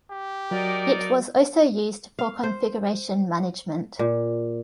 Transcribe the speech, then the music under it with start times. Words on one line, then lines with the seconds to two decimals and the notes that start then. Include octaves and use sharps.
It was also used for configuration management.
0.10 G4
0.51 F#3 D#4 F#4 A#4 D5
2.19 F5
2.43 C5
3.99 A#2